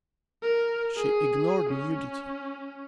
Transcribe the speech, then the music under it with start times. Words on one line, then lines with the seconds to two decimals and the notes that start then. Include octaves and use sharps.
She ignored nudity.
0.42 A#4
0.96 G#4
1.69 C#4